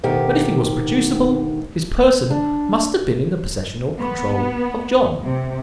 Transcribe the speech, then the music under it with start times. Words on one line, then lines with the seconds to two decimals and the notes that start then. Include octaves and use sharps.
But if he was producible, his person must have been in the possession or control of John.
0.03 D2 B2 D#3 G4
2.30 D4
4.00 B3
5.23 C3